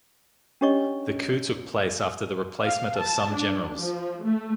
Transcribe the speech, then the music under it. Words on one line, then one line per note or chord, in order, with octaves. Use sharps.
The coup took place after the replacement of some generals.
C#4 D4 G4 C#5 D#5 C#6
F5
A5
D4
F3
A3